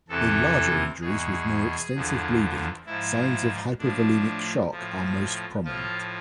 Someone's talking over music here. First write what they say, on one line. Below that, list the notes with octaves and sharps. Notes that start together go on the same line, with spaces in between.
In larger injuries with more extensive bleeding, signs of hypovolemic shock are most prominent.
E2 C3 E3 A4
E2 B2 G#4
E2 D3 F3
G#2 F3 E4
A2 F3 D4
A2 F3
A2 F3 F4